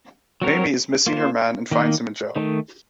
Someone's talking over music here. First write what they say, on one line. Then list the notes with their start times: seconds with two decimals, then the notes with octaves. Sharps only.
Mamie is missing her man, and finds him in jail.
0.42 F#3 C4 F#4 A#4 C#5
1.07 A#3 F4 C5
1.71 D#3 A#3 D#4
2.36 D#3 A3 D#4